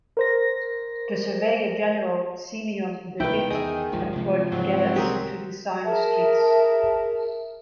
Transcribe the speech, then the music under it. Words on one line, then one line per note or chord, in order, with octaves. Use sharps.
The Surveyor-General, Simeon DeWitt employed Geddes to design the streets.
A#4 C5 A#6
C2 B2 D3 D#3 E4 B4 G5
E2 G#4 D#5 E5
G#1 C#2 D3 F3
C3 G#3 C4
G#2 C#3 F#3 G#3 C4
C2 D#3 G#3 G4 G#4 A#4
G#4 A#4 E5 A5